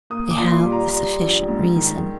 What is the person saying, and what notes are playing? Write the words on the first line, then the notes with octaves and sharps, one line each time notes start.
We have the sufficient reason.
A#3 D#6
D6
A#2
C6
G3
A#5
G3
A#1
G#2
D#3